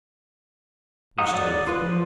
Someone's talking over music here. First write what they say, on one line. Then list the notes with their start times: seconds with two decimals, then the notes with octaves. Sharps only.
I will stay with you.
1.18 D#4 F#5 D#6
1.32 F#3 D5 D#6
1.45 D5
1.67 F4 B4
1.79 F3